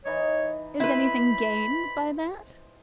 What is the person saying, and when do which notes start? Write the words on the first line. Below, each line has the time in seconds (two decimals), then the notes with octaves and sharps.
"Is anything gained by that?"
0.05 E3 D#4 C#5 D#5
0.80 E4 B4 C5 B5